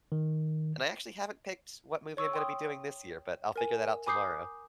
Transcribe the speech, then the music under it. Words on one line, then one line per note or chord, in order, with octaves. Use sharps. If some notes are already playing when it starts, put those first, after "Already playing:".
and I actually haven't picked what movie I'm gonna be doing this year, but I'll figure that out tomorrow.
D#3
C#5 C#6 E6
G5 C6 D#6
A#4 G#5
G#5 B5 D6 D#6 G6 C7